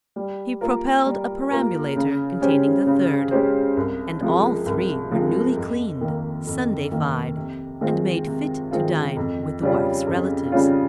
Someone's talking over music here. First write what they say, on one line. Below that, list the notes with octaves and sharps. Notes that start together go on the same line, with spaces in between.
He propelled a perambulator containing the third--and all three were newly cleaned, Sundayfied, and made fit to dine with the wife's relatives.
G3
A#3 F4 A#4
G3
A#3 F4 A#4
C#3
G#3 C#4 G4 C5
C#3
G#3 C#4 G4 C5
C2
C3 F3 G#3
C2
C3 F3 G#3
F2
D#3 A#3
F2
D#3 A#3
C3
D#3 G#3 C4 F4
C3
D#3 G#3 C4 F4
F2
C#3 G3 C#4 F4
F2
C#3 G3 C#4 F4